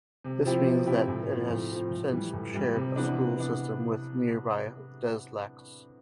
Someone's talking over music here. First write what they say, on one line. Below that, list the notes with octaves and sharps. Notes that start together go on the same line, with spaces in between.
This means that it has since shared a school system with nearby Des Lacs.
C3
F3 C4 E4 G4
C3
F3 C4 E4 G4
A2
F3 C4 F4
A2
F3 C4 F4
A2
E3 G3
A2
E3 G3
C3
E3 B3 D4
C3
E3 B3 D4